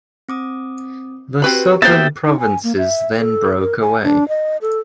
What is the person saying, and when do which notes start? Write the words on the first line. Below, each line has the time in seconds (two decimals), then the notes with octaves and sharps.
The southern provinces then broke away.
0.29 C4 D6 D#6
1.42 C4 F#4 G4 B4 B5
1.82 A#3 B3 C5 E5 G5 A6
2.26 D#4
2.39 G#5
2.63 A#3
2.78 E5
3.19 A4
3.61 A#4
3.82 G#5
4.04 D4
4.29 D#5
4.62 A4